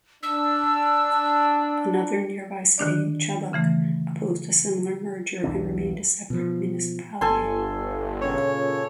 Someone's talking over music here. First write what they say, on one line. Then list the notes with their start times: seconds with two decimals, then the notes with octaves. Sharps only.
Another nearby city, Chubbuck, opposed a similar merger and remained a separate municipality.
0.23 D4 E6
2.78 D3 D#3 D4 D5
3.53 C#3 E3 A3
5.44 B1 E2 E3 D4
6.30 B2 F3
7.21 G1 A4 G#5 C6
8.21 A#2 C#3 C#4 C#5